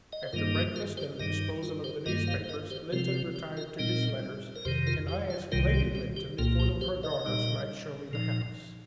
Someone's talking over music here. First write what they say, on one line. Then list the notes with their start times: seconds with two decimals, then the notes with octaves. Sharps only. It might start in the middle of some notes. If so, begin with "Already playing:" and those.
After breakfast and the disposal of the newspapers, Lynton retired to his letters, and I asked Lady Lynton if one of her daughters might show me the house.
0.13 D#5
0.23 C5
0.33 G2 D#3 G3 A#3 D#4 F4 A#4
0.55 G4
0.76 F4 A#4
0.97 G4 C5
1.20 G2 D#3 G3 D#4 A#4 D#5
1.63 F4 A#4
1.84 G4 C5
2.06 G2 D#3 A#3 F4 A#4 D#5
2.28 C5 F5
2.44 C5
2.49 A#4 D#5
2.71 G4 C5
2.92 C3 F3 C4 F4 A#4
3.05 F4
3.14 G4
3.36 G4
3.57 F4 A#4
3.79 A#2 G3 C4 D#4 A#4 D#5
4.56 A#4
4.65 F2 C3 D#3 G4 C5
4.87 F4 A#4
5.09 G4
5.30 F4
5.52 C2 C3 D#3 G3 F4 A#4
5.74 G4
5.95 G4
6.17 G4
6.39 C2 A#2 A#3 F4
6.60 G4
6.81 G4 C5
7.03 A#4 D#5
7.25 A#2 G3 D#4
8.11 A#2 F3 D#4